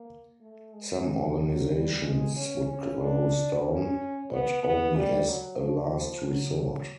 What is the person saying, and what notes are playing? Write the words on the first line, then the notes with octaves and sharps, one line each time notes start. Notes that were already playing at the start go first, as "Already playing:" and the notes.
Some organizations would close down, but only as a last resort.
Already playing: A#3
A3
G#3
F#3
F#3
G3
G#3
C#4
C#4
D4
C#4
B3
B3
G3
F#3
F3
F3
F#3
F#3